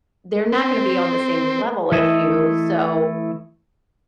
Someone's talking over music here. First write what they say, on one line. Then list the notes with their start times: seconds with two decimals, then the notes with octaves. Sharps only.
they're not gonna be on the same level as you, so,
0.52 C4
1.92 E3 A3 E4 D#5 E5